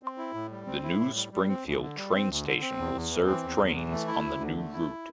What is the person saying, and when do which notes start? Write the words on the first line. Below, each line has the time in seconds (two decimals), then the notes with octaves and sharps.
The new Springfield train station will serve trains on the new route.
0.03 C4
0.18 E4
0.34 A2
0.51 G3
0.67 C4
0.83 E4
1.00 A2
1.15 G3
1.32 G3
1.48 C4
1.65 D2
1.81 D3
1.97 G3
2.13 C4
2.29 D2
2.45 D3
2.61 C4
2.78 E2
2.95 E2
3.11 E3
3.26 C4
3.44 E2
3.59 E2
3.75 E3
3.91 A3
4.07 E4
4.24 D2
4.41 D3
4.57 A3
4.73 E4